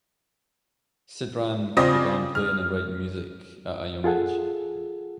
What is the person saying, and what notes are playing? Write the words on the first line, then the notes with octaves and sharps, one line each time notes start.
Sidran began playing and writing music at a young age.
C#3 C4 F4 D5 D#6 A#6
F6
F4 G#4 A4 F#5